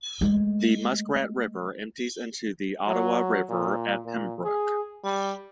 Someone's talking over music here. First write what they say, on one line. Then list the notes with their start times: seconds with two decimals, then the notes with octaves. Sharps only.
The Muskrat River empties into the Ottawa River at Pembroke.
0.21 G#3 A3
2.87 F#3
3.49 A#2
4.06 A#2
4.44 G#4
5.04 G3